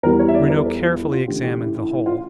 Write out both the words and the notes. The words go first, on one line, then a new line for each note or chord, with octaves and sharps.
Bruno carefully examined the hole.
E2 E3 G3 A#4
C#5
E5
D5
A#4
A4
F4
E4
F4
C#3 E3 A3 D4 G4
G4
E4
E4
E4
F4